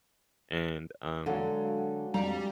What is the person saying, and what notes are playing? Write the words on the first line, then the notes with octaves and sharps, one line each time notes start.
And, um,
D3 F#3 G#3 F#4 F5
F2 G3 A#5